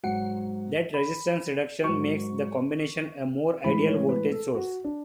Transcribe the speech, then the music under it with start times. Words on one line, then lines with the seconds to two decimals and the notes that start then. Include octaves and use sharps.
That resistance reduction makes the combination a more ideal voltage source.
0.03 G#2 F#3 F#5
0.94 B5
1.84 G#2 F#3 C#6
3.64 A2 E3 G#3 B5
3.87 C#5
4.09 B4
4.32 A4
4.55 F#4
4.84 D4